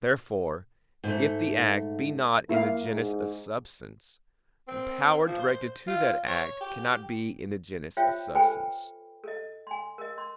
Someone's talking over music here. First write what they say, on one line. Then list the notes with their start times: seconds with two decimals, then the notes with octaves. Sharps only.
Therefore, if the act be not in the genus of substance, the power directed to that act cannot be in the genus of substance.
1.04 G#2 A3
2.49 A#3 E4 F5
2.91 G#2
4.68 C4
5.27 F3
5.39 C5
5.87 F4
6.28 C#5
6.60 G4
7.97 F4 C5 C#5 E5 G5
8.35 A4 B4 C5 G5 G#5 B5
9.24 A4 D#5
9.67 G#5 C6
9.98 A#4 D#5
10.18 C6